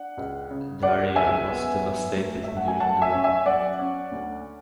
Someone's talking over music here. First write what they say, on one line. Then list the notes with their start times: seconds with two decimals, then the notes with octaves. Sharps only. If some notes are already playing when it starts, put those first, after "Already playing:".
The area was devastated during the war.
Already playing: D4 F#5
0.17 C#2
0.51 C#3
0.83 C#2 D5 F#5
1.15 C#2 E5 G#5
1.49 B3
1.81 F#3
2.15 A3
2.44 A3 E5
2.57 F#5
2.68 G#5
2.80 F#3 F#5 A5
3.02 E5 G#5
3.12 C#4
3.24 E5 G#5
3.46 F#3 D5 F#5
3.79 C#4
4.11 D2